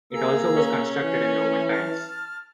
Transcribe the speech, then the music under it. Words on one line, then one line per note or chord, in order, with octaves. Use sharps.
It also was constructed in Roman times.
A#3 G#4 A#5 E6
C#4
E3 G#5
A5 F6